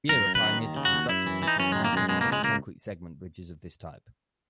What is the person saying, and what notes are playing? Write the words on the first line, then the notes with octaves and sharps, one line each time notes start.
Viera pioneered the construction sequence now typical for concrete segment bridges of this type.
F#2 A#4
F#2
B4
D#3
D#2
C#3
F#4
D#2
F#2 E4
E3
E3 D#4
F#2 C#4
D#3 G#3
A#3
F#2 G#3
B2 G#3
C#2 A#3
G#3
C#2 A#3